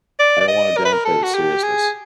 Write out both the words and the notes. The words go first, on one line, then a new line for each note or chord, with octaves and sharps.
I don't want to downplay the seriousness.
D5
D5
D#5
A#4
B4
A#4
A4
F#4
G4
G#4